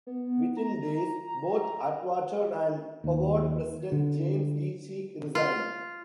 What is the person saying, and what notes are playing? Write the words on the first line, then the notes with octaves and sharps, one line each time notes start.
Within days, both Atwater and Howard President James E. Cheek resigned.
B3
A#5
D#2
D3
F4